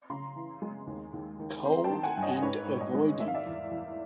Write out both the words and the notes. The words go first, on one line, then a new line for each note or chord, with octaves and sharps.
Cold and avoiding.
C#3 A#5 C6
E3
G#3
D#2
D#2
D#3
C4 A#5 C6
G5 A5
D#3
F#5 G#5
G2
C#5 D#5
G#2 B4 C#5
G#2
C#5 D#5
G#3
D#3 E5
F5
D5 E5
E2
E2